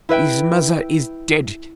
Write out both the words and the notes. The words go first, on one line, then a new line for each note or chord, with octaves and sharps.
His mother is dead.
E4 B4 E5 G5